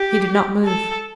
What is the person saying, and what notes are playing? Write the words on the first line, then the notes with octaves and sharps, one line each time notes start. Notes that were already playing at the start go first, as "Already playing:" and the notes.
He did not move.
Already playing: G4
A4